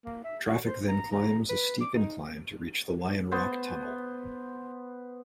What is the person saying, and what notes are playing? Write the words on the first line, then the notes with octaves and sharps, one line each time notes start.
Traffic then climbs a steep incline to reach the Lion Rock Tunnel.
A#3
E5
F#4
C5
A#5
A#5
B4
D6
D#4
B3 C5